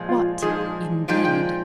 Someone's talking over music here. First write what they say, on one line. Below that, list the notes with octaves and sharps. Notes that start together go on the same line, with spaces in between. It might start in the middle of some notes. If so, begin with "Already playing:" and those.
What indeed!
Already playing: A#2 F3 G#3
F4
A#2 F3 G#3 D#4 G#4
A#2 F3 G#3 D#4 G5
G5